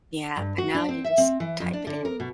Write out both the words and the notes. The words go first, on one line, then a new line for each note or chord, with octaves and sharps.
Yeah, and now you just type it in.
G2
F#4
D4
C4
E5
C4
E3
F2
D4
D3
A#4
B2